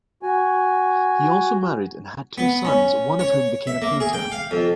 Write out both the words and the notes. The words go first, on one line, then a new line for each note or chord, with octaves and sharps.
He also married and had two sons, one of whom became a painter.
F#4 G#5
B3
C#4
C#5
E5
A#3
G#4
G5
F5
F2